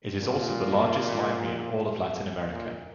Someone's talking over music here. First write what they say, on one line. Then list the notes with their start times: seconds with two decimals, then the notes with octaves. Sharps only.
It is also the largest library in all of Latin America.
0.20 A#2
2.50 A#2